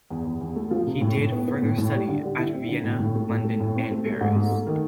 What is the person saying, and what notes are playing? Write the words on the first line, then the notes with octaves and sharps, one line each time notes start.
He did further study at Vienna, London and Paris.
E2
E2
E2
A3
F3
C3
A2
A2
B3
B3
A2
A2
G3
D3
G3
E4
C4
D3
A2
A2
A3
A2
A3
A2
C4
A3
A3
G#2
A3
A3
D#3